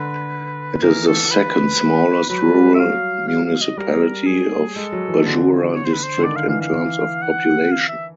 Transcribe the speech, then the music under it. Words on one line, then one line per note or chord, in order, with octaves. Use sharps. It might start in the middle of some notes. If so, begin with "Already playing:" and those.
It is the second smallest rural municipality of Bajura district in terms of population.
Already playing: D3 B4
E3 A#4
A4
B4
F#3 B4
G3
E5
F#3 F5
F5
F5
D#5
G3 A#4
G#4
G#3 A4
F#3
E3
D3
C#5
C5
B4
C5
D3
D#3 D5
F5
E3 F5
F5
E3
F#5
F5
E5